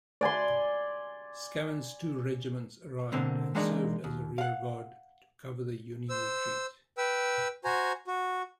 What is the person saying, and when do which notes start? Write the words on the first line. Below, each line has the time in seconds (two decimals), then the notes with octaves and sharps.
Scammon's two regiments arrived and served as a rear-guard to cover the Union retreat.
0.21 D5 G#5 B5 C6
3.12 B2 D3 A#3 C4
3.55 E3 G#3 A#3 D4 D#4
4.04 D#2
4.38 F5 F#5
6.09 C5 E6
6.98 B4 G5 E6
7.64 F#4 C5 G#5 A#5
8.07 F#4